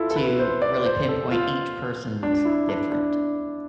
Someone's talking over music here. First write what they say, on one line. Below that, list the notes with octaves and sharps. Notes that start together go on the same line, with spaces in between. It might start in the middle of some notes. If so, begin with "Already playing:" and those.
to really pinpoint, each person's different.
Already playing: E4 F4 A4
A4
B4
C5
D5
C5
A4
F4
D4
E4
D4
D4